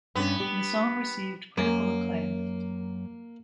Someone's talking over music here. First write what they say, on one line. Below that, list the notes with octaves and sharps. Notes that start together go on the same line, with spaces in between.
The song received critical acclaim.
G2 B3 C#4
G4
F#2 A#3